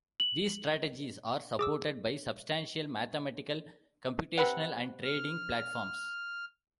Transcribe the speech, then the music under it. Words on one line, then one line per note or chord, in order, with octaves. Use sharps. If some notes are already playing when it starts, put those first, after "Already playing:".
These strategies are supported by substantial mathematical, computational, and trading, platforms.
F#7
G#4 D6 E6
C3 B4 F#5
F6